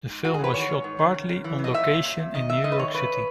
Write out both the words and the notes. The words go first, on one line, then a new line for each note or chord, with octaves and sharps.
The film was shot partly on location in New York City.
G#2
G#2 F#4
G#4
E3 B4
D#3 C#5
G#2
G#2
D#3
C#3
F#2
E3
F#2
D#5
A#2 E5
A#2
A#2
A#2
D#3 D#5
G#2 E5
G#2 D#5
B4
D#3 C#5
C#3 B4